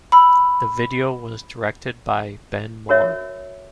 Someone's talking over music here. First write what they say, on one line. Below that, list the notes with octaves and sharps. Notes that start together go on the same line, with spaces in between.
The video was directed by Ben Mor.
B5 E6
F#4 A#4 C#5 E5